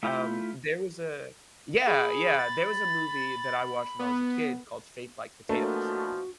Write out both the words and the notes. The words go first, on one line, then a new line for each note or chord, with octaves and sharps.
Um, there was a Yeah yeah, there was a movie that I watched when I was a kid called Faith Like Potatoes,
A3 E4 F4 E5 G6
G#4 B5
A6
B3
B2 E3 F3 A3 A#3 D4 F#4 A5